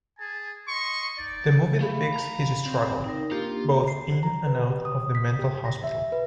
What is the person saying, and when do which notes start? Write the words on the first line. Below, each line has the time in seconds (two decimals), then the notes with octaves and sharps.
The movie depicts his struggle, both in and out of the mental hospital.
0.19 G#4 G#5 A5
0.68 D#5 C6 C#6
1.18 D#4 D5
1.81 A3 F5 B5
2.14 A#5
2.66 C4
3.04 D#4 A#4
3.31 A#3 D4 F4 G4
3.88 C7
4.23 A#5
4.46 B4
4.70 G4
4.85 D#6
5.15 B6
5.39 G4
5.65 A#6
5.84 E5
6.12 B4